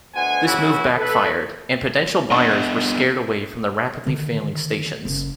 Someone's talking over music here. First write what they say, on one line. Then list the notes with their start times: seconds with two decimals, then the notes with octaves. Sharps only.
This move backfired, and potential buyers were scared away from the rapidly failing stations.
0.15 D2 B2 C5 F#5 G#5
0.46 C#3 E3 E4 F#4
0.97 A4 B4
2.31 F2 B3 D4 D#5
4.06 D3 D#3
5.05 F#1